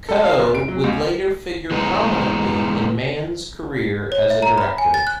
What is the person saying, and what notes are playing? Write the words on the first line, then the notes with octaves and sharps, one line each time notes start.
Coe would later figure prominently in Mann's career as a director.
A4
F5
F1
D7
F#3
C#2
E3 G#3 B3 D#4
C#5
E5
A#5
B5
G#5
A6
F#6